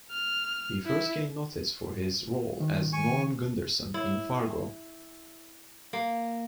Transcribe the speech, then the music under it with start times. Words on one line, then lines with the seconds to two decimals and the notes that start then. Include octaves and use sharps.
He first gained notice for his role as Norm Gunderson in "Fargo".
0.11 F6
0.86 E4
2.60 D#3
2.93 G#5 C#6
3.94 E4
5.93 A#3